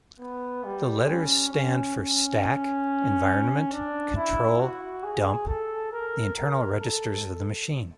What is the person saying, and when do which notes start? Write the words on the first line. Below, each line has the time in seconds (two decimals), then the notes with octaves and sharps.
The letters stand for Stack, Environment, Control, Dump, the internal registers of the machine.
0.20 B3
0.64 G3
1.08 C#4
1.52 C#4
1.96 C#4
3.72 D4
4.16 E4
4.60 F#4
5.04 G#4
5.48 A4
5.92 A#4
6.36 A#4
6.80 A4